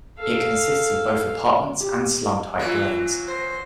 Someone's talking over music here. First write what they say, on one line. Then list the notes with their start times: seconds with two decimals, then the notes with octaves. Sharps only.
It consists of both apartments and slum-type dwellings.
0.18 A4 F5
1.81 G4
2.59 E3 F#3 A#3 F4
3.28 C5 A#6